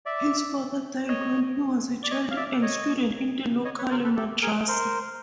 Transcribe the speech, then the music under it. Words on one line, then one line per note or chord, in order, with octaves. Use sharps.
His father died when he was child and student in the local madrasa.
D5 E5
C#5 D#5
D5
C#5 D#5
F5
D5 E5
C#5 D#5
C#5 D#5
B4 C#5
A#4 C5
A4 B4
G4 A4
G#4 A#4
A#4 C5